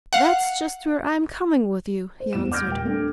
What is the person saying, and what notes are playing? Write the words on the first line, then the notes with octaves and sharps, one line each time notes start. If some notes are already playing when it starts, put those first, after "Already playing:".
"That's just where I'm coming with you," he answered.
F5 F#5
C5
E2 A2 E7
D6 F6 G6 G#6 A#6 D7
D#1 G5
G3 A3 D4